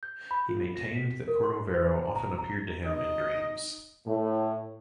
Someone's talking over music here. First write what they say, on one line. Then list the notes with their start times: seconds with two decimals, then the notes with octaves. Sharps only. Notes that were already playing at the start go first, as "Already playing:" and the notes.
He maintained that Cordovero often appeared to him in dreams.
0.03 G6
0.31 B5
0.49 F4
0.76 A#6
0.95 B6
1.28 A#4
1.43 C6
1.74 C5
2.16 A#5
2.38 A#5
2.86 D#4 D#5
4.06 A2